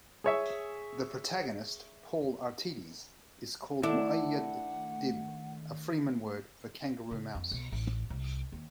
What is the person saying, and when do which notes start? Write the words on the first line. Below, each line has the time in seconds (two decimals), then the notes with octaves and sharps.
The protagonist, Paul Atreides, is called Muad'Dib, a fremen word for kangaroo mouse.
0.24 G#4 C#5 E5
3.83 D#3 A3 D4 E4 F#5
7.11 C#3
7.35 F2
7.51 B1
7.72 A1
8.10 C2
8.52 D#2